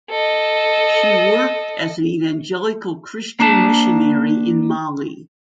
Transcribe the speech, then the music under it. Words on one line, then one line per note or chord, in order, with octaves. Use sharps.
She worked as an Evangelical Christian missionary in Mali.
A4 D#5
A#3 D4 A5